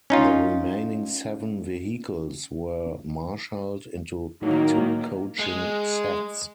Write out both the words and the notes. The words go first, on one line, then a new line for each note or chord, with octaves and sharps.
The remaining seven vehicles were marshalled into two coaching sets.
C#4 D#4 F4
A2 D#3 F#3 A#3 D#4
G#3